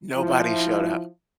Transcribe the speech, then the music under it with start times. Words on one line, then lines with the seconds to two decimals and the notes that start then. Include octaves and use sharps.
nobody showed up,
0.15 F3 E4